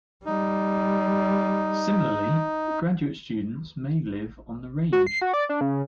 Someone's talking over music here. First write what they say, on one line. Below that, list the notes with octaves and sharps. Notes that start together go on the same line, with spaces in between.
Similarly, graduate students may live on The Range.
G3 D#4
F#4
C7
F#4
D5
D4
C#3